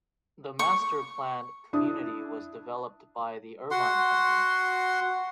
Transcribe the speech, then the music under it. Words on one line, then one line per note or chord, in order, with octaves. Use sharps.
The master-planned community was developed by the Irvine Company.
C#6
D4 E4 D#6
F#4 F#5 C6